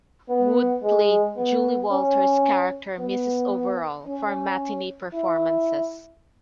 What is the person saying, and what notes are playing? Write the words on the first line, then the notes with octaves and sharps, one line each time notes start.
Wood played Julie Walters' character Mrs Overall for matinee performances.
B3
G#3
B3
C#4
B3
C#4
E4